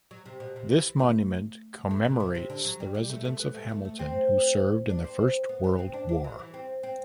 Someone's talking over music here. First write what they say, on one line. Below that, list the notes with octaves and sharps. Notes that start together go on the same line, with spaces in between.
This monument commemorates the residents of Hamilton who served in the First World War.
F#3
C3
B2
C3
E3
A3
A3
B2
C3
C3
D3
F#3
G3
G3
A3
A3
B3
A3
A3
A3
C4
D4
C4
B3
B3
C4
D4
D4
F#3
E3
C4
C4